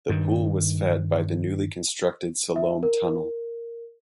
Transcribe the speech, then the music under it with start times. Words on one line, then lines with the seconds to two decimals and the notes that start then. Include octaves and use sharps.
The pool was fed by the newly constructed Siloam tunnel.
0.09 G2 D#3
2.56 E5
2.83 A#4